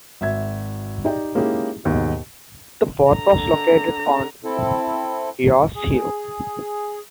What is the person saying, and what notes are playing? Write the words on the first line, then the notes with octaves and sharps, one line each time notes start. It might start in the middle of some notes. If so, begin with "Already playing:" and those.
The fort was located on Deyo's Hill.
G#1 E5 G#6
D#4 G4 D5 D#5 G5
G#3 A#3 C#4 D#4 E4 G4
D#2 G#2 B2
D3 A#5
C4 E4 A4
G#4